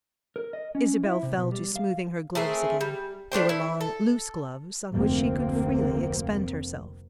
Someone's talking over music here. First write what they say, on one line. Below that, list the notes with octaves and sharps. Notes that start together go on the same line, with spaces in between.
Isabel fell to smoothing her gloves again; they were long, loose gloves on which she could freely expend herself.
A#4
D#5
C#4
E4
C3
B2
G3
F5
A3 C4 G#4 A#4
G3
A3 D4 C5 G5
E4
A4
F1 D2 A#3 C4